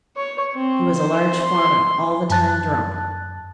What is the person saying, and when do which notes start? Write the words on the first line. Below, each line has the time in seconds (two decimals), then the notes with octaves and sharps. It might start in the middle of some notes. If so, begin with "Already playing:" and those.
He was a large farmer, all the time drunk.
0.16 C#5
0.54 C4
0.97 C5
1.43 C6
2.30 F#2 A5 F#6 A6